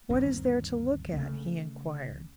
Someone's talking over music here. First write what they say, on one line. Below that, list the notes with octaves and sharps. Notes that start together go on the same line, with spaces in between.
"What is there to look at?" he inquired.
D2 G2 D#3 C4
C#2 C#3 A3